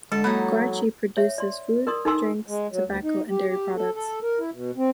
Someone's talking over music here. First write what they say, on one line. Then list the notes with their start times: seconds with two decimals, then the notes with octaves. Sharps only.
Carchi produces food, drinks, tobacco, and dairy products.
0.12 D3 G#3 A4
0.24 F#3 A#3 D#4 E4 B5
1.17 C#5 E5
1.38 D5 C6
1.87 A#4 D5 C6 D#6
2.05 D#4 A4 A#4 G#5 C6 E6
2.48 G#3
2.72 F#3
2.87 D2
3.04 D#4
3.29 G4
3.48 G4
3.76 A4
3.95 A4
4.23 A#4
4.39 E4
4.52 B2
4.77 C4